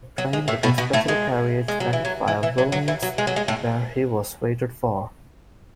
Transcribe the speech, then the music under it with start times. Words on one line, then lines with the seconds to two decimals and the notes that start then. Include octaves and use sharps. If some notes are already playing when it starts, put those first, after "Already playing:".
The train with a special carriage went via Vilnius where he was waited for.
0.18 F#3
0.33 G#3
0.48 A2 A3
0.63 B2 B3
0.78 B2 B3
0.93 A2 A3
1.08 G#3
1.68 G#3
1.80 F#3
1.93 E3
2.05 F#3
2.28 E3
2.43 E3
2.58 F#3
2.72 F#3
2.88 E3
3.03 F#3
3.18 G#3
3.27 F#3
3.36 G#3
3.48 A2 A3